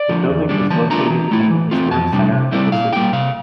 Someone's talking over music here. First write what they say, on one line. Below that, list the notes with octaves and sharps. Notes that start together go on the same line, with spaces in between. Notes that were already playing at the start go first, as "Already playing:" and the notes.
The building is located in the Historic Center of the city.
Already playing: D5
D3 F3
E2
D3 G3 D4
E3 A5
A3 D4 F4 A#5
E3
A3 E4
E3
A3 C4 F4
F2 A5
C3 G3 D4
C3
G3 C4 E4
A#2 F5
G3 A#3 E4 G5
C3 F5